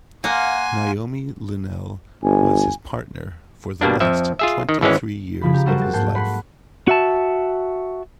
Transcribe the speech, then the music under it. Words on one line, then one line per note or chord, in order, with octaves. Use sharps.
Naomi Linnell was his partner for the last twenty-three years of his life.
A#3 F5 F#5 G#5 C6
G1 G#5
B2 G3 A#3 D4
F2 F3 E5
F4 G#4 E5
D#3
G#1 E3 G#3 C#4
C#3 F3 B5
G4 A#5
F#3 G3 F#4 A4 A#4 C5
G#3 A6
G#2 A#3 G5 A5 C7
F#5 B5 C6
F#4 E5 A5